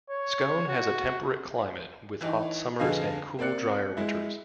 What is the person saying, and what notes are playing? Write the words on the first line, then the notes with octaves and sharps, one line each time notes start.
Scone has a temperate climate with hot summers and cool, drier winters.
C#5
F#4
E3 D#4
F2 D3 G#4 B4 D#5 F5
A#3 C4 D5 F#6 C#7
G#3 E4